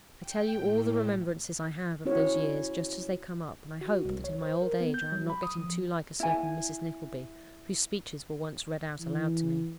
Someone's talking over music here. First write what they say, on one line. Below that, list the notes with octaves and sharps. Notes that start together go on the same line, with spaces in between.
I tell you all the remembrances I have of those years just as they come up, and I hope that, in my old age, I am not getting too like a certain Mrs. Nickleby, whose speeches were once read out aloud to me.
G5
A2
C#4 E4 F#4 C#5
F#4
C2
C#5
C5
A#4
B3
G6
F#3
B5
D#6
F3
E4 G#5
E3